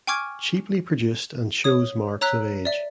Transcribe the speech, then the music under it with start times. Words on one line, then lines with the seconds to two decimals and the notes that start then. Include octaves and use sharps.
Cheaply produced and shows marks of age.
0.07 G5 G#5 C#6 D6 F6 G#6
1.64 C#5 D#6
2.21 C#5 A#5 E6 F#6 B6
2.65 D5 E5